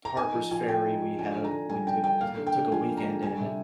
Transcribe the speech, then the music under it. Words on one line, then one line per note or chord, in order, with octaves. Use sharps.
Harpers Ferry, we had a we took to took a weekend in, and
A#5
D#4 G#5
F3
F3 G#5
C4 G5
D#4
F3
D4 G#5
D3
A#5
D3
G3 G#5
D4 G5
D3 G5
A#3 F5
D3
G5
D3
F3 G#5
A#3
A#5
D3
G3 G#5
C3